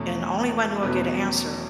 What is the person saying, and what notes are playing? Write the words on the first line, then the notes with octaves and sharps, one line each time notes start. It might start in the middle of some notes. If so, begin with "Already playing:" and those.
and the only way I knew I'd get a answer
Already playing: E2 B2 A3 C#4
E2 B2 F#3 A3 B3 C#4 B4